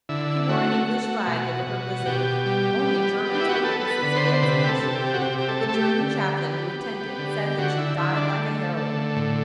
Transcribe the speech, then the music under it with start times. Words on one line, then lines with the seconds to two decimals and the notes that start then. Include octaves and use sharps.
She wore an English flag over her bosom. Only Germans were witnesses of the execution, but the German chaplain who attended said that she died like a heroine.
0.09 D3 E4
0.49 A3 F#4
0.88 A3
1.27 B2
1.67 B2
2.06 B2 G4
2.46 G3
2.85 B3
3.25 B3
3.33 D4
3.41 E4
3.49 F#4
3.56 G4
3.64 B3 A4
3.81 A4
3.90 B4
4.03 D3
4.16 C5
4.25 B4
4.33 C5
4.42 C3 B4
4.64 G4
4.69 A4
4.83 C3
4.96 G4
5.14 F#4
5.21 C3 G4
5.38 G4
5.48 A4
5.61 A3
5.69 A4
5.74 G4
6.01 D3
6.39 B3
6.79 B3
7.19 D3
7.58 D3 F#4
7.78 E4
7.97 D3 E4
8.17 D4
8.37 A3
8.77 D3
9.16 A2